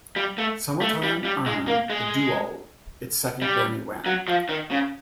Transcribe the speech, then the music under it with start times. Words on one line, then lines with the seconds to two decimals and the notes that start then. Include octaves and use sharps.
Summertime earned the duo its second Grammy win.
0.16 G3
0.38 A3
0.81 A3
1.03 G3
1.25 G3
1.46 G#3
1.68 A#3
1.90 G#3
3.42 G3
4.06 F#3
4.28 F3
4.49 D#3
4.71 C#3